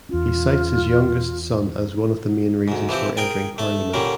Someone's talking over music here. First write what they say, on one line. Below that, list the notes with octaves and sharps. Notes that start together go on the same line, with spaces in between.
He cites his youngest son as one of the main reasons for entering Parliament.
E2 C#4 F4
D2 G#2
E3 F3 C4 G4
G#4 A#4 G5 G#5
A3 A5
A#2 D3 G3 A#3 C#4